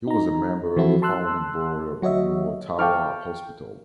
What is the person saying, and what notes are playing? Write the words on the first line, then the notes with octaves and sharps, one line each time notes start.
He was a member of the Founding Board of the New Ottawa Hospital.
D#4 A#5
E3 F3 C4 E4 F#4 A4
A5 C6 E6 F#6
F#3 F#4 C#5 D#5 E5
F5 G5 A5 C#6 D6 F6